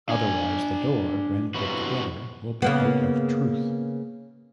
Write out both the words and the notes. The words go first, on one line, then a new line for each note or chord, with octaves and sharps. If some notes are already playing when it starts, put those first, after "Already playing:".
Otherwise the door, when put together, will be out of truth.
D4 G#5
G2 C3 E3 F#3 B3 F#4
C#3 A#3 B3